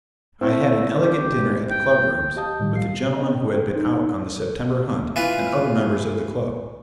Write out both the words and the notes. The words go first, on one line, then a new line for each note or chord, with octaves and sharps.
I had an elegant dinner at the club rooms, with the gentlemen who had been out on the September hunt, and other members of the club.
A3 C4 E4
G4
G5
G4 D#5 F5 A5 D#6 G6
A2 D#3 F3 G3
F5 C7
B3 D#5
G5
D#4 C5
E3 F4 B4